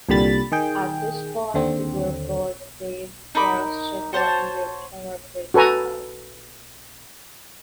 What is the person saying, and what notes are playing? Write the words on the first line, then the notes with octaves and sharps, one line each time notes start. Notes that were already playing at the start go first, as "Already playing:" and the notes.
At this point, the group built their first chapel, in the Tower Bridge area.
C2 A#2 D3 G3 B5 A6
D#3 G#4 G5
D#2 D3 C4
D#4 A#4 B5 D6
F#4 C5 C#5 A5
F#4 A4 B4 G#5 A#5